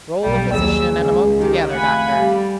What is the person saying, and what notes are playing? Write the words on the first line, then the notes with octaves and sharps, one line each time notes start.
"Roll a physician and a monk together, doctor!"
B1 G2 G3
D#2 F#3 G#4 E6
C#2
D#3 G4
F2 A3 F5 F#5 G#5 B5
G3